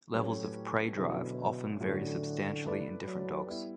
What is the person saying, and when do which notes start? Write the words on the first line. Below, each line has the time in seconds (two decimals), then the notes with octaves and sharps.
Levels of prey drive often vary substantially in different dogs.
0.13 A2 F#3 A3 C#4 G4 B4
0.97 B2 D3 F#3 C#4 E4
1.80 A2 D3 F#3 A3 C#4 F#4
2.64 A3 E4 B4 D5
3.05 F#3
3.47 G3 B3 E4